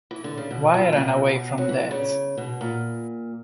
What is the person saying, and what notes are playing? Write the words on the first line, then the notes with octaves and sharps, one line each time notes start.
Why run away from that?
E3
D3
C#3
B2
A#2
C#3
B2
F#3
E3
D3
C#3
B2
A#2